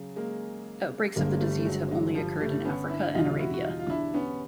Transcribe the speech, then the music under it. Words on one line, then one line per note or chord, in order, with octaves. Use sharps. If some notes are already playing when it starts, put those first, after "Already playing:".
Outbreaks of the disease have only occurred in Africa and Arabia.
Already playing: C#3 F#3
G#3 A#3
G1 G2 D3 G#3 A#3
G3 A3
A3
F#3 G#3
F#3 G#3
F3 G3
G3 A3
B3 C#4
D4 E4
E2 B2 G3 D#4 F4
E4 F#4
F#4
D#4 F4
F4
D4 E4
B3 C#4